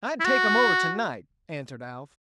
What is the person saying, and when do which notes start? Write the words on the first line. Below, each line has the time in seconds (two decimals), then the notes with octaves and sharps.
"I'd take 'em over tonight," answered Alf.
0.20 E4
0.25 F#4